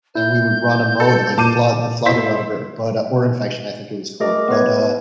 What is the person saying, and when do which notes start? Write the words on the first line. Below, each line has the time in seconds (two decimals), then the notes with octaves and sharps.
and we would run a mode like Flood The Flood or whatever, but, uh or Infection, I think it was called, but, uh,
0.15 E4 G6
1.00 A4
1.38 A#2 A5 D6 D#7
2.06 E4 C5 B6
4.20 A3 F#4 G#4 A#4 D#5 D6
4.48 B3 B4 G#6